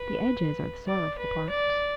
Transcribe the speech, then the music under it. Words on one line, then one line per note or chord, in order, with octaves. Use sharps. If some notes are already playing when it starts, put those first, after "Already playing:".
'The edges are the sorrowful parts.'
Already playing: B4
D5
B4
D5